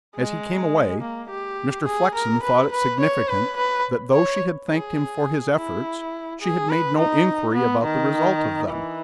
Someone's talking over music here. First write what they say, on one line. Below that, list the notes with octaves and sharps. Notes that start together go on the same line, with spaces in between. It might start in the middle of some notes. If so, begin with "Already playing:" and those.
As he came away, Mr. Flexen thought it significant that, though she had thanked him for his efforts, she had made no inquiry about the result of them.
G#3
A#3
G4
G#4
A#4
B4
B4
C#5
B4
B4
C#5
G#4
E4
G#4
B4
D#4
B3
D#3
E3